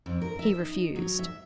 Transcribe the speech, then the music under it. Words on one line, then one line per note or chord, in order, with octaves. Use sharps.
He refused.
F2
A#4
E5
D#4
F#3
E5